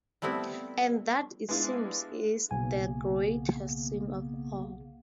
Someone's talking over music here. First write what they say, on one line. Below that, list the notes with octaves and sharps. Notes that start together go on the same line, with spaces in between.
And that, it seems, is the greatest sin of all.
G3 A3 B3 C4 E4
G#3 B3 D4 E4 F4
B1 C#3 A#3 B3 G#5